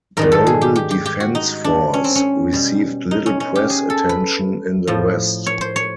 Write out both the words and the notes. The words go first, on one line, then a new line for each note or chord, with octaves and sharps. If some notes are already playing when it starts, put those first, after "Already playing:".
"Global Defence Force" received little press attention in the West.
G#2 D#3 G3 A#4
A4
G#4
G4
G4
G4
G4
F#4
D#4
D4
C#4
C4
C#4
B2 G3
D#4
C#4
C#4
G4
G#4
A4
B4
A2 F3
C#5
C5
C#5